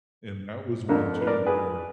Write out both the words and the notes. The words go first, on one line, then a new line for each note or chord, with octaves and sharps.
And that was one too where
F2 D3 A#3 D4
B4
A#4 D5
G#4 B4